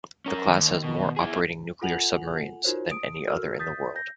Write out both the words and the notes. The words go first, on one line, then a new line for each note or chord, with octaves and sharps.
The class has more operating nuclear submarines than any other in the world.
C#4 A#4
D#3
D#2
B2
E4 G#4
F4 A4 F#5 G#5 F7 F#7
D#4 F4 F#4 A#4 C5 C#5
D#6 D7
F#4 A4 A#4 E6 F6
D#6 G6 A6 B6
G6 A#6